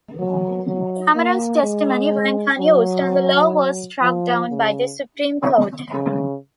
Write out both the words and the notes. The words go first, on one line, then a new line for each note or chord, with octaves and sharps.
Cameron's testimony went unused, and the law was struck down by the Supreme Court.
F#3
F#3
A#3
G#3
F#3
F3
C#3
C#3